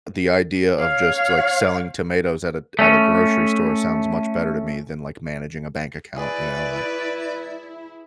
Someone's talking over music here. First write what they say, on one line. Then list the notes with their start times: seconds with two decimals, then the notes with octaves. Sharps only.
the idea of just, like, selling tomatoes at a at a grocery store sounds much better to me than, like, managing a bank account, you know, like
0.79 C#5 F5
2.79 A3 C#4
6.16 E4 G#4 B4 D5